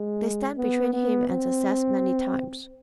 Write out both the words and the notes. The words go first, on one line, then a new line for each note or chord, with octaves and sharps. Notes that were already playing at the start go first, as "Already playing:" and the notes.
They stand between him and success many times.
Already playing: G#3
B3
B3
C4